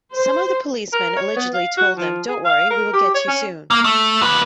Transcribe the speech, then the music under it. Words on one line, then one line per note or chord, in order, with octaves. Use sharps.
Some of the policemen allegedly told them, don't worry, we will get you soon!
C5
A#4
C#5
B3
F5
F#4
F3
G#4
F5
A#4
G4
C#5
C#4
A#3
A3
D#2 B4